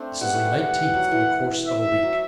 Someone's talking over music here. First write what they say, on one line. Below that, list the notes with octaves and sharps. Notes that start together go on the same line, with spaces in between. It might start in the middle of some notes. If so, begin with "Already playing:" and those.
This is the nineteenth in the course of a week.
Already playing: A3 C4 D4
G3 B3 F#5
A3
G3
F#5
E3
F#3
E3
E5
E3
F#3